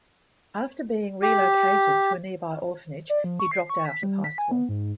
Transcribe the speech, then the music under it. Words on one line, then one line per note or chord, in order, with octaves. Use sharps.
After being relocated to a nearby orphanage, he dropped out of high school.
G4
D5
F3
C#6
C7
C#6
B6
G3
B6
G#5
B3
G#2